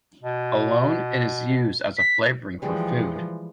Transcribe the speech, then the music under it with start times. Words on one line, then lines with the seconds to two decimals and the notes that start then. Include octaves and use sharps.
Alone, it is used as a flavoring for food.
0.23 B2
1.97 B6
2.62 E3 F3 G3 G#3 G4